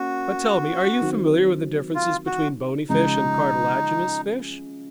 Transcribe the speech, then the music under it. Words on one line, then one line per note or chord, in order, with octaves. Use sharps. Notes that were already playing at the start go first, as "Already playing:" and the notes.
"But tell me, are you familiar with the differences between bony fish and cartilaginous fish?"
Already playing: A#3 C#4 F#4
D#3 F#3 C4
F4
F#4
C#3 F3 G#3 D#4